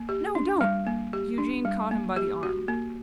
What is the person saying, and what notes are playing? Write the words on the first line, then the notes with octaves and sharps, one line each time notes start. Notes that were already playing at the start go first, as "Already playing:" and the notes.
'No, don't!' Eugene caught him by the arm.
Already playing: A#3
G4
D4
G3
A#3
G4
D4
G3
A#3
G4
F#4
A#3